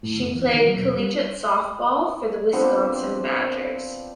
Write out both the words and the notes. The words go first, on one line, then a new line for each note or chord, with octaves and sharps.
She played collegiate softball for the Wisconsin Badgers.
A2
F#1
E2
D#3
F#3
E1
G3
F3 B3 C4 D4